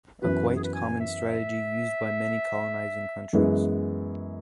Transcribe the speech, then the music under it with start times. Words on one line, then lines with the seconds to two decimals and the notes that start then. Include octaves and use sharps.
A quite common strategy used by many colonizing countries.
0.22 F#2 E3 B3 F#4 B4
0.48 B4
0.56 G#4
0.64 B4
0.74 G#5
1.00 E5
3.33 F#2 E3 G#3 B3 E4